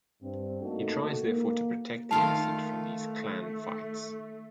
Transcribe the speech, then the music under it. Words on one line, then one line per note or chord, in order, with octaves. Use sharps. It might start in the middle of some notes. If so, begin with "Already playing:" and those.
He tries therefore to protect the innocent from these clan fights.
G2 C4
A3 A#3 D#4 F#4 A4
A#3
D#3 A3 F4 F5 A5